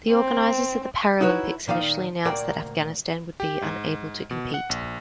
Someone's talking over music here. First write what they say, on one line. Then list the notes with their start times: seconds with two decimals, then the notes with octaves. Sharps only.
The organizers of the Paralympics initially announced that Afghanistan would be unable to compete.
0.11 C4
1.21 D#4 E4 F#4 B4 C#5
1.68 A#2 D#3 D5 F5
2.25 D2 A#2 A#3 A#4 D5 G5
3.40 G4
3.62 G#2
4.31 B2
4.54 F#5
4.70 A#1